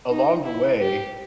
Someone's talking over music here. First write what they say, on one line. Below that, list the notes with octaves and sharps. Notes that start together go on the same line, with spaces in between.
along the way,
D#4
E4
G4